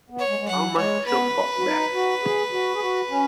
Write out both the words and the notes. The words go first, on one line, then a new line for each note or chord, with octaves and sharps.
How much should Bob bet?
B3
C#5
G#3
G#3
F#3 F#5
G#3 C#5
B3 B4
F#4
D#4
F#4
G#4
F#4
G#4
F#4
C#4